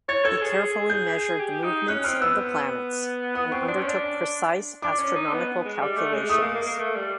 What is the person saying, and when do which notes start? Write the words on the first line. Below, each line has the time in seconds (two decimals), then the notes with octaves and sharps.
He carefully measured the movements of the planets and undertook precise astronomical calculations.
0.09 C#5 A6
0.25 A4 G#6
0.42 G#4
0.90 G6
1.39 G4
1.64 D#4
1.88 C#4 F#6
2.04 C4 F6
2.21 B3 E6
3.35 B3 D#6
3.52 C4 C#6
3.68 D4 C6
3.79 C#4
3.88 D4
4.82 D4 D6
4.99 C#4
5.16 D#4
5.32 B3
5.65 G#3
5.81 G3
5.97 A3
6.13 G#3
6.30 A3 D#6
6.42 A#3
6.54 A#3
6.67 A#3
6.79 A3
6.96 G3